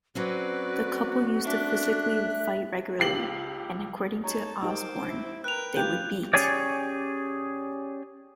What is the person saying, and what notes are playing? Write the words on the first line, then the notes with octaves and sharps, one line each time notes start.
The couple used to physically fight regularly and, according to Osbourne, they would beat.
F#3 C4 C#4 F#4 B4 D5
D4 E5 F#6
C#2 G4 C7 F#7
D#4 C#5 A5 A#5
D#4 G4 A#4 C5 D6
E4
A#4 B4 G5 F#6 F7
A3 F4 G4 G6
C#4 G4 G#4 C#5 D5